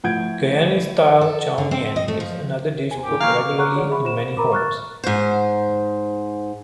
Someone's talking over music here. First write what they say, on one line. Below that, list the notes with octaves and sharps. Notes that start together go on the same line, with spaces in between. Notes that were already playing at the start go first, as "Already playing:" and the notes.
Guyanese-style Chow Mein is another dish cooked regularly in many homes.
A2 F3 F#5 G6 G#6 D7
A4
D3
C4
D#5
A3
F3
E2 C3 G#5
A2 D#3 G4
A#3 A#4 F5 A#5 C#6 G#6 C7
F#5 A#5 C#6 D6 F6 F#6
F#4 G#4 C#5 D5 F#5
G#4 E5 F#5 B5 C#6
F4 C5 E7
A#4 A#5 B5 D6
C#6 F6 F#6 A6
G#2 C5